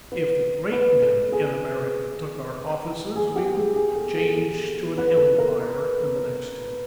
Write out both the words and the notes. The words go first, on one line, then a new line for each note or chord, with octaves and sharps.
If the great men in America took our offices, we would change to an empire in the next ten years.
B4
B4
A4
G#4
G#4
G4
G#4
G#4
A4
G#4
A4
B4
A4
A#4